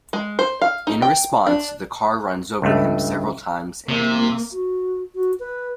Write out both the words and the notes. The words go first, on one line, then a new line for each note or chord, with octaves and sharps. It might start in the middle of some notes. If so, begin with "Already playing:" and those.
In response, the car runs over him several times and leaves.
G#3
C5
F5
D#4
G5
D4
C#2 G2 A3
C3 A#3
F#4
F#4
B4